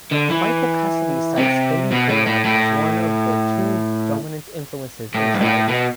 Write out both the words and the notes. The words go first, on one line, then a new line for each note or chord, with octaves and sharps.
Michael Cassidy cites Billy Graham as one of two dominant influences in his life.
D3
E3
C3
B2
A2
A2
A2
A2
G2
A2
B2